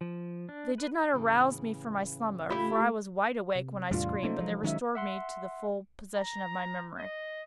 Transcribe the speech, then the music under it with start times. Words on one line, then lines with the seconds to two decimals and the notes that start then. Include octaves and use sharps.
They did not arouse me from my slumber--for I was wide awake when I screamed--but they restored me to the full possession of my memory.
0.01 F3
0.49 D4
0.78 B4
1.14 A2 C#3 E3
2.50 A3 E4 F4 G4 B5
3.55 C3
3.91 E2 A2 G3 D4 F4
4.23 A3 A#3 C#4 D#4 A4 C5
4.38 F3 F#3 G#3
4.63 D#3 F#3 G#3 C#4 D#4 E5
4.95 E5 F#5 C6
6.16 A#5
6.99 D#5